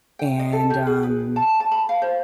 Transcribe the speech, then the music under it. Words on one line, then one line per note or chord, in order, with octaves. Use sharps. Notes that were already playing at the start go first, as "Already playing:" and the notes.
and, um,
G5
D#5
A4
G4
G#4
B4
A5
A5
B5
F5
C5